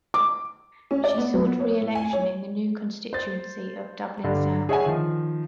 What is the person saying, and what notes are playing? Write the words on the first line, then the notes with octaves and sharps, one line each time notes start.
She sought re-election in the new constituency of Dublin South.
D6
C#4
D5
B3
F#3
B3
C#5
A2
G#5
C#5
C5 A6
G2 D3
G#4 C#5 E5 F#5 G#5
D#3 F3